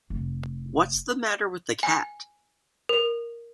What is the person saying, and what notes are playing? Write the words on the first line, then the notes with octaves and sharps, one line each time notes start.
What's the matter with the cat?
F1
G#5
A#4